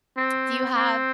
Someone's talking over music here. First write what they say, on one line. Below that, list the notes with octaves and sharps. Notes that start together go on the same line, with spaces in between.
Do you have
C4
C4